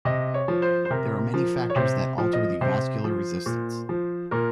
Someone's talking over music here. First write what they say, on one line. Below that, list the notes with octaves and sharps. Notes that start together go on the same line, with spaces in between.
There are many factors that alter the vascular resistance.
C3 D#5
C#5
F3
C5
C5
C3 A#4
F3
C#5
C3 C5
F3
D#5
C3 C5
F3
A#2
F3
A#2 A#4